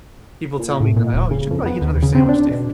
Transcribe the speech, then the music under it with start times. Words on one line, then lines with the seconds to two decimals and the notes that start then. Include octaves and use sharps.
People tell me they're like "Oh, you should probably eat another sandwich, dude."
0.59 A#2
0.80 A2
0.96 A#2
1.13 D1
1.31 C#3
1.51 F2
1.66 B3
1.82 D#2
2.03 C#3
2.15 C4
2.29 D4
2.51 B2